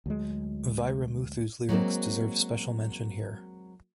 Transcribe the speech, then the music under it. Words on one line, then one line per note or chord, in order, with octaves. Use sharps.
Vairamuthu's lyrics deserve special mention here.
D2 F#3 G#3
F#3 G#3 A#3 C4